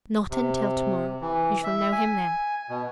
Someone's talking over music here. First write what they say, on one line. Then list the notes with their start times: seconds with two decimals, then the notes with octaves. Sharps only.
"Not until to-morrow--you shall know him then."
0.30 C3
1.21 E3
1.64 E5
1.92 G#5
2.69 B2